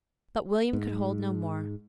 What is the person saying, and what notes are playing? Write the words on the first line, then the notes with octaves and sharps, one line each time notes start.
But William could hold no more.
G#2